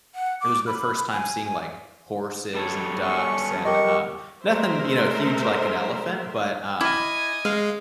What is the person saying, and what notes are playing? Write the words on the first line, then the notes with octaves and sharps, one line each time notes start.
it was their first time seeing, like, horses and ducks and, um, nothing, you know, huge like an elephant, but, um,
F#5
D6
B5
G#5
G3 A4 C#5
C#4 C#6
G4 A#4 D#5 C#6
G#3 A3 A#4 C5 E5
E4 D#5 G#5 D6 F6 G#6
G#3 F5